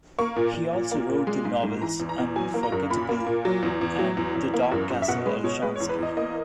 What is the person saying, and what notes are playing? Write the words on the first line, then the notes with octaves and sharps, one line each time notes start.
He also wrote the novels "Unforgettable" and "The Dark Castle Olshansky".
A#3 C#6
A#2
A#2
A#2
A#3
A#2
G#3
G#2
G#2
E3 A#5
E2
A#5
E2
F#3 G#5
A#3
A#5
F#2
A#2 B5
A#3
A#2
F#3
E2
E2
F#3
E2
E2
A#3
F#2
F#2
E5
B2 F#5
G#3 B4
B2 C#5
G#3 B4
C#5
E2
B4
E2 D#5
A#3 D#5